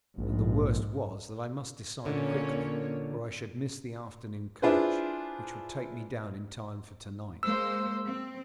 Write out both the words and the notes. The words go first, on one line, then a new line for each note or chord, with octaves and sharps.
And the worst was, that I must decide quickly, or I should miss the afternoon coach, which would take me down in time for to-night.
A#1 G#2
A#2 D3 A#3 C#4 C#5
D4 E4 F4 G#4 B4 C5
G#3 A#3 C5 E6
C4